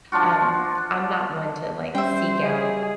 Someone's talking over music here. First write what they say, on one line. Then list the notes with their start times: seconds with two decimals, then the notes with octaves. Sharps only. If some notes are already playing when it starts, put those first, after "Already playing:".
um, I'm not one to, like, seek out
0.12 F3 D4 F4 F#4
1.95 G3 C#4 C5 E5 G5
2.44 G#4 D#5